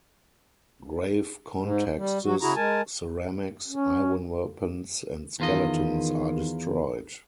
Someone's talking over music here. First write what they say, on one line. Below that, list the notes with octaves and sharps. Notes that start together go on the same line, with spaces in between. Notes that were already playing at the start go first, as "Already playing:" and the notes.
Grave contexts, ceramics, iron weapons and skeletons are destroyed.
G#2
G3
F#3 F#4
C#3 E4 F#4 G#4 A#5
G#3 A#4 G#5 A5
C#4
E2 D#3 F4 D#5